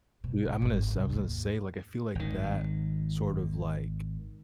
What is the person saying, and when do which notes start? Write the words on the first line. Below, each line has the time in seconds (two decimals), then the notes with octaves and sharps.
Yeah, I'm gonna s I was gonna say, like, I feel like that sort of, like,
0.24 B2
0.45 B1
0.62 G#1
0.91 C2
1.10 D#2 G#2
2.15 G#1 D#3